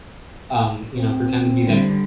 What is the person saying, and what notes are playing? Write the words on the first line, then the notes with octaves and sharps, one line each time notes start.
um, you know pretend to be that uh
C4
D3 G3